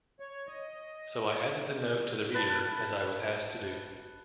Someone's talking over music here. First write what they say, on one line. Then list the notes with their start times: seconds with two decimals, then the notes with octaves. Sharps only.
So I added the note to the reader as I was asked to do.
0.20 C#5
0.47 D#5
2.34 B4 A5